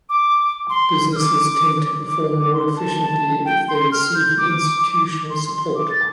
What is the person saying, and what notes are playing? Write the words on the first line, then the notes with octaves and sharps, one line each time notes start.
Businesses tend to perform more efficiently if they receive the institutional support.
D6
C6
F6
D6
D6
D6
C6
A5
A5
G5
C6
F6
G6
D6
C6
C6
D6
A6